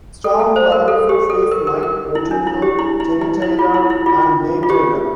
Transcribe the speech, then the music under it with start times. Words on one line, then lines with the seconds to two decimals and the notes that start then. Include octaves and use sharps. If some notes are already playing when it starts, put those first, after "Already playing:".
Storm would also face Mike Rotundo, Terry Taylor, and Dave Taylor.
0.24 A4
0.40 A4
0.56 C5
0.72 A#4
0.88 A4
1.09 G4
1.30 A4
1.51 A#4
1.67 A#4
1.83 A#4
2.15 E4
2.31 D4
2.47 E4
2.62 G4
2.79 E4
3.00 E4
3.21 E4
3.42 E4
3.59 F4
3.74 E4
3.90 E4
4.06 F4
4.63 F4
4.70 G4